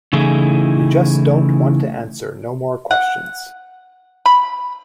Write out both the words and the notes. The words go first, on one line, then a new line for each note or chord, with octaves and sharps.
You just don't want to answer no more questions.
C#3 E3 A3 D#4 E4 G#4
F#5
B5